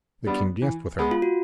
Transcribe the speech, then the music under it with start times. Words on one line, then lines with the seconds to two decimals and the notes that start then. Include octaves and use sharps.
The king danced with her.
0.26 G3 B3 D4
0.62 E3
0.99 G#3 B3
1.11 F4
1.22 F#4